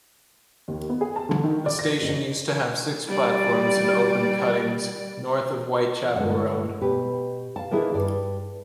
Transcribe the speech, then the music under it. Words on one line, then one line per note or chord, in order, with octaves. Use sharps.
The station used to have six platforms in open cuttings north of Whitechapel Road.
D#2
B3
G#4
A5
D3
D#3
D5
A#6
F#1
G3 D5
G2 D3 G#3 D5 F#5
B2 G4 B4
F5 A5
D#3 A#3 D4 E4 G#4 B4
G2 D5